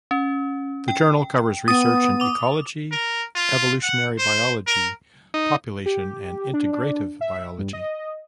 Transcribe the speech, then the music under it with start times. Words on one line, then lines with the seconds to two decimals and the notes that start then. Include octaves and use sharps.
The journal covers research in ecology, evolutionary biology, population, and integrative biology.
0.11 C#4
0.88 G5
1.68 B3 D#6 A6
2.20 D6 F7
2.92 A#4
3.36 F4
3.83 F#5
4.18 C5
4.67 A#4
5.34 D#4
5.86 G4
6.53 D4
6.72 D4
7.21 E5
7.59 G2
7.73 D#5